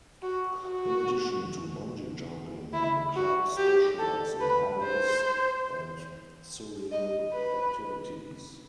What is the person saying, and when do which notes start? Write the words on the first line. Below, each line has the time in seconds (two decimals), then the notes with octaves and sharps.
In addition to bungee jumping, the club specialised in high risk and surreal activities.
0.22 F#4
0.65 F#4
2.73 E4
3.16 F#4
3.57 G4
3.99 A4
4.40 B4
4.82 C5
6.92 D#5
7.32 B4